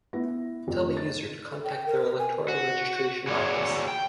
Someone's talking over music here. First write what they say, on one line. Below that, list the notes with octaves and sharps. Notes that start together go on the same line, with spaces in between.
Tell the user to contact their electoral registration office.
B3 E4 A#6
F1 F2
A6
A4
G5
A#4
G#5
F#4
F#4 G#4 C#5 D5
G5